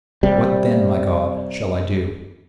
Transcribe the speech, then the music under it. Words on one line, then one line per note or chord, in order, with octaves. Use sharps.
What then, my God, shall I do?
C3 G3